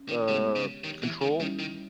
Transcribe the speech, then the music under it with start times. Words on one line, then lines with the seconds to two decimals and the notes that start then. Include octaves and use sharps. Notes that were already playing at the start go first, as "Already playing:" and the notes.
uh, control
Already playing: C#4
0.09 D#3
0.27 C#3 G#3 B3 G4 C#5
0.56 C#3
0.84 D#3
1.03 E3
1.22 D#3
1.40 D#3 G3 C#4 E4
1.59 D#3